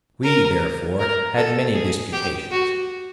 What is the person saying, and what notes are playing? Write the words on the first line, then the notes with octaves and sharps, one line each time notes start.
We therefore had many disputations.
A#4
A#4
A4
G#4
G4
F#4